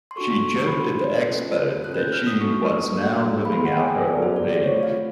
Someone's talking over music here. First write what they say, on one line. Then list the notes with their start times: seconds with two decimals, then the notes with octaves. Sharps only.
She joked at the expo that she was now living out her old age.
0.11 C6
0.16 D4 F#4 A4 C#6
0.67 B5
0.72 D4 F#4 A4 C6
1.28 C#4 F4 A4
1.84 C#4 F4 A4 F#6
1.98 G6
2.12 F6
2.27 D#6
2.40 A#3 D4 F#4 A4 C#6
2.96 A#3 D4 F#4 A4
3.45 B5
3.52 B3 E4 G#4 C6
3.65 F#5
3.72 G5
3.80 G#5
4.08 B3 E4 G#4 D5
4.22 C5
4.36 D5
4.49 D5
4.64 A3 C4 F4 C#5
4.83 F5